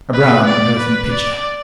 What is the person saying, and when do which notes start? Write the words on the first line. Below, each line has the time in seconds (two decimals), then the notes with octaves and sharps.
A brown earthen pitcher!
0.13 B4
0.46 D5
0.78 B4
1.11 D5